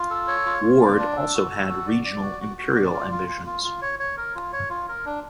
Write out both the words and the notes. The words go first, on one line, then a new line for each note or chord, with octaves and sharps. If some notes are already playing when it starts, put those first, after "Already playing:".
Ward also had regional imperial ambitions.
Already playing: F4
A4
C#5
F4
F4
D5
D4
A4
F#4
A4
F#4
D5
D5
F#4
F#4
F#4
D5
F4
F4
F4
F4
F4
C#5
C#5
A#4
F4
C#5
F4
A#4
D4